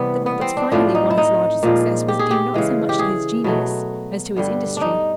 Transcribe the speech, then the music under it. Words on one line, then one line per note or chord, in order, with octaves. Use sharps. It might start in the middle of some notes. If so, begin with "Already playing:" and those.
That Roberts finally won his larger success was due not so much to his genius as to his industry.
Already playing: C3 E3 G3 B3
B3
C4
D4
A2 F3 A3 D4
D#4
E4
D#4
A#2 F3 G#3
G4
G#4
G4
C#3 E3 G#3
G4
G#4
B2 F#3 A3
G2 D3 G3
D4 D#4